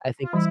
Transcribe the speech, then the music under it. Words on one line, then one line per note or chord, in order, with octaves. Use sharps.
I think it's
F4
E3 G3 E4